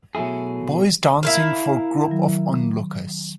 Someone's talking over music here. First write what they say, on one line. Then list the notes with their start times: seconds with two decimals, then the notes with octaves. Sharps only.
Boys dancing for group of onlookers.
0.15 B2 F#3 A3 E4 G#4
1.23 E4 A#4 F5
2.07 D#3 F#3